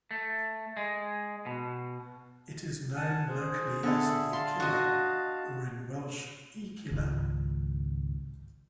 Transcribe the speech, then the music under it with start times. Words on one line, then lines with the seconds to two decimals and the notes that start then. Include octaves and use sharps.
It is known locally as 'The Killer' or in Welsh 'Y Killer'.
0.11 A3
0.77 G#3
1.46 B2
2.96 F#5 G#5 A5
3.29 G#4 C5
3.83 D3 B3 G#4 A4 E5
4.33 F5 A5 C6
4.60 F#4 D#5
6.92 G#1 C#2